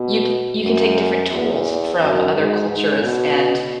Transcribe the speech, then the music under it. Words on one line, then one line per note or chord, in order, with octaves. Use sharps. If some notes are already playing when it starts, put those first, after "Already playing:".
you c you can take different tools from other cultures, and
Already playing: B2
F#2
E2
F#2
G#2
G#2
B2